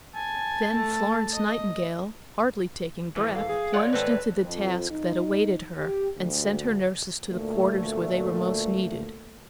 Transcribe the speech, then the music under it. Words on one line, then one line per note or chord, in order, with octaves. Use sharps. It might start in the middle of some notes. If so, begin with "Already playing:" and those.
Then Florence Nightingale, hardly taking breath, plunged into the task that awaited her and sent her nurses to the quarters where they were most needed.
G#5 A5
A3
D#5
G#1 A2 E3
A4 F5
G#4
F4 C#5 D5 F5 F#5
G#1 C4 A4 B4
F2
D#4
G4
D2
D2 A#2 A3